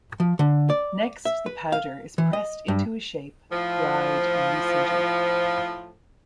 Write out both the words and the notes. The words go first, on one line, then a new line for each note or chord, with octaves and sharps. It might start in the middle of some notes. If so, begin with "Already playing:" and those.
Next the powder is pressed into a shape, dried, and re-sintered.
F3
D3
D5
E5
B4
F5
E3
D#5
G2
A2 F3